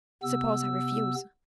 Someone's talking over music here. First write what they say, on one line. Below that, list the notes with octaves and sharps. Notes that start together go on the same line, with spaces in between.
"Suppose I refuse?"
C3 B3 E6